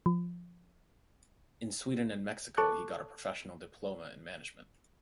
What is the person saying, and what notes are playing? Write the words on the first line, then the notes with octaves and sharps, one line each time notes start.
In Sweden and Mexico he got a Professional Diploma in Management.
F3
A4 A5 C#6 D6 F#6